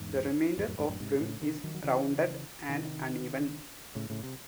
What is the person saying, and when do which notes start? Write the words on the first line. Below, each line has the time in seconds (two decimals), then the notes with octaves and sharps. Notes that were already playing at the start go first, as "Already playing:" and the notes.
The remainder of rim is rounded and uneven.
Already playing: E2 G#2
0.57 E2 G#2
0.67 F#2 A2
0.78 E2 G#2
0.89 F#2 A2
1.00 G#2 C3
1.13 C3
1.21 A2 C#3
1.41 C3 D#3
1.64 D#3 F#3
1.74 F#3
1.84 C#3 E3
2.69 C3 D#3
3.95 A2 C#3
4.10 A2 C#3
4.23 C3